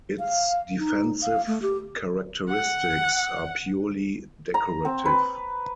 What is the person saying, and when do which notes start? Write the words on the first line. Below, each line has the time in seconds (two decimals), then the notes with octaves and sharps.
Its defensive characteristics are purely decorative.
0.19 F5
0.79 D#4
1.22 F5
1.47 A3
1.62 G4
2.49 F#5
4.54 A#5
4.85 C4
5.05 B4